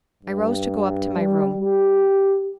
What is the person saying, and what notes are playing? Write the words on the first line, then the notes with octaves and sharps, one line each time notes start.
I rose to go up to my room.
G2
G3
G4